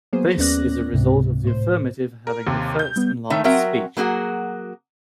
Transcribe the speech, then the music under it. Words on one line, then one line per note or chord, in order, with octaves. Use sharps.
This is a result of the affirmative having the first and last speech.
F#3 A#3 B3 G#4 C5
D#2 B3 C#4 D5 F#6 A#6
C#2 G#2 C3
A2 C5
A#4
D#2 C3
G6
G3 B3
D#3 A3 E5
F#3 C4 A#4 E5 F#5
F#3 A#3 F#4 G#4 F#5